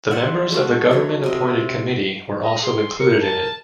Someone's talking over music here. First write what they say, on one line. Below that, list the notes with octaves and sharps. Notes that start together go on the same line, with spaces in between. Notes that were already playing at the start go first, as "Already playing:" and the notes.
The members of the government appointed committee were also included in it.
C5 D5 E5 F#5
G#3 A3 F#4
F#3 A3
C3 D#5
D#5
G#4 C6
A#4 C#7
A5